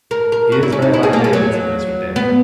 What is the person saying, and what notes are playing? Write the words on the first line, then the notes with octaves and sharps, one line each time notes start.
'He is very like David!' said Mr. Dick.
A#4
A#4
F#4
E4
C#4
D#4
E4
G#4
A#3
G#3
F#3
B3